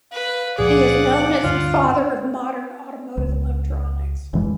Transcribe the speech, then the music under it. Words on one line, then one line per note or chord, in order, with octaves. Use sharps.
He is known as the father of modern automotive electronics.
B4 F5
C#2 A#2 F3 G#4 D5 F#5
D2 G2 D3 F4
C#2
F1 E3 G#3